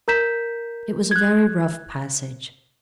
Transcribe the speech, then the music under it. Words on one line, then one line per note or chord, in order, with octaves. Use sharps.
It was a very rough passage.
A#4 A#5 G6 B6 E7
F#6 G#6